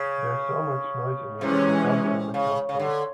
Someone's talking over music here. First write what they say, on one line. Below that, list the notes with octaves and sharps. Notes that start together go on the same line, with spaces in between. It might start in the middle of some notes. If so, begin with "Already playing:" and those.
There is so much noise in here, I can't hear myself think.
Already playing: C#3
C3 E3 G#3 C#4
C#3
C#3
D3